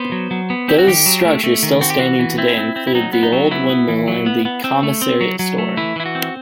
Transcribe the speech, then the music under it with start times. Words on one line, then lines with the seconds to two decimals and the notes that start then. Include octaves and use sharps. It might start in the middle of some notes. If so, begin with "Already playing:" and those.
Those structures still standing today include The Old Windmill and the Commissariat Store.
Already playing: B3 C5
0.12 F#3
0.31 F#3
0.50 B3
0.68 C4 G4
0.78 F#4
0.87 D#3 G4
1.06 F#3
1.25 A3
1.44 A3
1.63 D#3
1.81 C4 F#4
1.90 G4
1.99 E3 F#4
2.19 E3
2.38 C4 E4
2.57 C4
2.76 C4
2.87 E4
2.95 F#3 D#4
3.13 B3
3.23 D#4
3.32 F#3
3.51 B3 E4
3.70 B3
3.88 E3
4.08 F#3
4.26 B3
4.45 B3
4.64 C4
4.83 A3
5.02 C4
5.21 F#3
5.39 F#3
5.58 A3
5.77 E3 E4
5.96 E3 E4
6.06 F#4
6.15 C4